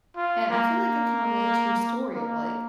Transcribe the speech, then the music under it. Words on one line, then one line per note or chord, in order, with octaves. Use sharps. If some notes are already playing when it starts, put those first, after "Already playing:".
and I feel like I can relate to your story of, like,
F4
A#3
A#3